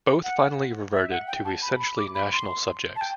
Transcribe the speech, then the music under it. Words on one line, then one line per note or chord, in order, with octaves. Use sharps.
Both finally reverted to essentially national subjects.
F#5
E5
F#5
G5
A5
B5
B5
D6
B5
C6
A5
G5